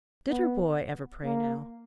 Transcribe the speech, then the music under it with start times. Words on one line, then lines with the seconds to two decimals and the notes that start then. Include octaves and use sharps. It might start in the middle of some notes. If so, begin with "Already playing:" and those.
Did her boy ever pray now?
0.30 B3
1.25 A#3